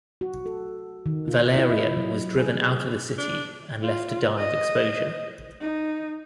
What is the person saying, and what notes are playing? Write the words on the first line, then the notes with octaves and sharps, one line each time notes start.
Valerian was driven out of the city and left to die of exposure.
F#4
A4
D#3
F4
E4
D#5
F#3
G#4
D4
F4
D#5
D#4